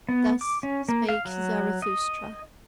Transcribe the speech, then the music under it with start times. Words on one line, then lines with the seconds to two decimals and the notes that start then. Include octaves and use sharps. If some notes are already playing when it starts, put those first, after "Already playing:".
Thus spake Zarathustra.
0.09 B3
0.41 D6
0.63 C#4
0.89 A#3
1.09 F5
1.25 F#3
1.82 D#5